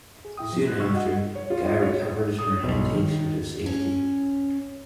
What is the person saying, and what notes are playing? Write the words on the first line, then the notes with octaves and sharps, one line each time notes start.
Soon after, Guy recovers her and takes her to safety.
G#4
A2 E4 G5 D#6
F3
F#6
A2 C3 G3 C#6 E6 F6
F#4 D#5 F#5
C#5
F4
C#5
D#6
B1
D#3
C#4